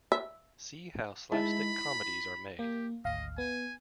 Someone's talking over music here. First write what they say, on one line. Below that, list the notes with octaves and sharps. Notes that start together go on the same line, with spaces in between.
See how slapstick comedies are made.
E5
G#3 D#4 E4 A5 B5
B6
A#3 G4
G#1 D2 D#5 F5
B3 G#5